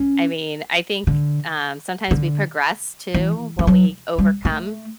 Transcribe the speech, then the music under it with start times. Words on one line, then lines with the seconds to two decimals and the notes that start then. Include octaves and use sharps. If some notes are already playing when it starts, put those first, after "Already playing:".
I mean, I think, um, sometimes we progress too when we overcome,
Already playing: C#4
1.07 D3
2.11 D3
3.14 E3
3.59 E3
3.67 F#3
4.18 G3
4.45 A3